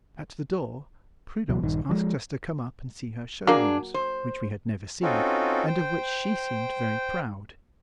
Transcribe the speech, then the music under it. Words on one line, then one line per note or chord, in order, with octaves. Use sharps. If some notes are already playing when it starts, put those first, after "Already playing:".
At the door, Prudence asked us to come up and see her showrooms, which we had never seen, and of which she seemed very proud.
C#2 B2 E3 F#3
A#1 G2 D#3
F3 F#3 G#3
F#3 A#3 D4 G#4
C5
C4 C#4 D#4 F4 F#4 A4
C5 G5